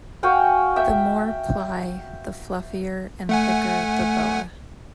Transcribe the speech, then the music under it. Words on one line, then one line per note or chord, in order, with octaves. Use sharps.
The more ply, the fluffier and thicker the boa.
F#4 F5 G5 G#5
E5 G5
A3 F#5 G#5